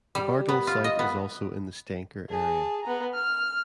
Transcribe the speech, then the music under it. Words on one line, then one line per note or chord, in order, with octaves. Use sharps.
The Bardal site is also in the Steinkjer area.
G3
B3
F4
D#5
B3
G#4 A5
B3 A#5
F6